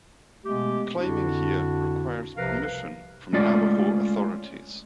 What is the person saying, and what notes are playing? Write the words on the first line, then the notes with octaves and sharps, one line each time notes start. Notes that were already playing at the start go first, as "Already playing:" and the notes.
Climbing here requires permission from Navajo authorities.
B2 G#3 A3 B3 G4
F2 D3 D4 E4 F#4
C2 C3 F3 A#4 B4 F5
G#3 A3 C#4 F4 D5